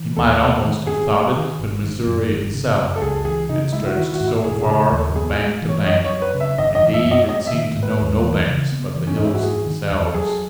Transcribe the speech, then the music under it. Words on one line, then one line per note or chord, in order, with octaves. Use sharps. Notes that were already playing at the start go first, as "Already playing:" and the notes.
He might almost have thought it the Missouri itself, it stretched so far from bank to bank; indeed, it seemed to know no banks but the hills themselves.
Already playing: E3
D#2 A4
A3
D#3
C#4 G#4
A3
D#3
G#1
D#3
F#2
G#1
C#3
F#2
A4
C#2 G#4
E3 G#4
C#3 D#4
G#3 E4
F#4
D#3 E4
F#4
G#2
E4
E1 G#4
G#4
C#3
A4
D#2
A4
B3 G#4
G#4
G#3
E3
C#5
F#2 D#5
C#5
F#3
B4
C#3
E5
G#1 D#5
D#5
E3
E5
F#2
D#5
A3 D#5
E5
D#3
G#2
B4
D#2
E3
C#3
B3
E3
C#4
G#2 D#4
E4
F#4
A3 G#4
D#3
E2
A4
F#3 G#4